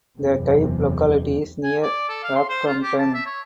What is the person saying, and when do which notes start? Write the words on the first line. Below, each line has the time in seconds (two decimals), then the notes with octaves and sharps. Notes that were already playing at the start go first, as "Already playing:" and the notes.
The type locality is near Rockhampton.
0.18 F#1 E2 C3
1.64 G#5
1.82 D5
2.09 A4
2.24 F5
2.35 C6
2.49 C5
2.67 F4
2.82 G4
2.99 A5
3.14 E5
3.26 C#5